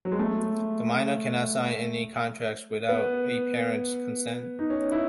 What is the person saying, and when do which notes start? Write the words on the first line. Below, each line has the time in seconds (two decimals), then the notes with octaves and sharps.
The minor cannot sign any contract without a parents consent.
0.05 F#3
0.12 G#3
0.19 A3
2.89 B3
4.59 D#4
4.70 C#4
4.92 E4